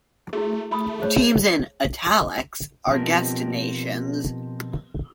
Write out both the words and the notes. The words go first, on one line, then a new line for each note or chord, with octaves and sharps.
Teams in "italics" are guest nations.
A3 E4 F#4 G#4
A3 E4 B5 D#6
G#4 C5 C#5
B2 F3 C4 G4 A#4